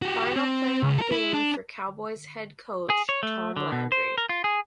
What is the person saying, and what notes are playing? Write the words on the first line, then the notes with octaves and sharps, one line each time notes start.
Final playoff game for Cowboys head coach Tom Landry.
F#4 G4
C4
C#2
A4 A#4
E4
D4
G#4
C#5
A3
D3
B2
C5
A#4
F4
G#4